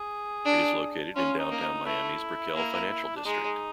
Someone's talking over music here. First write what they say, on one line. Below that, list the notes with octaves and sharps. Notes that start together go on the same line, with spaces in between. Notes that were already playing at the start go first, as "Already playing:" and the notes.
It is located in Downtown Miami's Brickell Financial District.
Already playing: G#4
D4
C#4 F4
D#4
A#3
D#4
A3 E4
A#3
D4
G#3 D#4